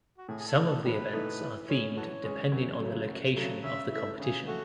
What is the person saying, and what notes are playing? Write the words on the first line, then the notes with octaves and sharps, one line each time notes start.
Some of the events are themed depending on the location of the competition.
F#4
A2 G#4
G#4
A4
E3 A3 D#4
A4
A2 B4
E3 A3 D#4
E3
G#3 C#4 G#4
E3 F#4 A4 C#5
G#3 C#4 G#4
F#2
C#3 F#3 A3
F#2
C#3 F#3 A3
C#3 E5
E3 A3 E5
C#3 G#4
A3 F#4